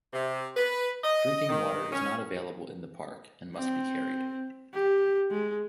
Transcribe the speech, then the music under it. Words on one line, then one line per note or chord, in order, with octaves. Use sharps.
Drinking water is not available in the park and must be carried.
C3
B4
D#5
D#3
C#4
C4
G4
G#3